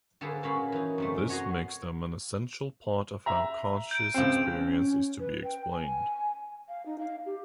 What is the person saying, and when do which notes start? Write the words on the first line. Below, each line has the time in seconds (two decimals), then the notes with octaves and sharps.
This makes them an essential part of how conscious experience is to be explained.
0.21 D3 A#3 G#4 A4 B4 C5
0.43 A#2 A#3 C#4 F#4 F5 B5
0.72 E3 D#4
0.98 F#2 C3 A3
1.29 F#4 C#5 D#5 F#5 A#5 C6
3.26 E5 A#5
3.91 G6 D7
4.14 C#2 C4
4.57 C#4
5.20 B4
5.44 G5
5.71 G#5
6.69 F5
6.86 D#4
6.99 F5
7.26 G4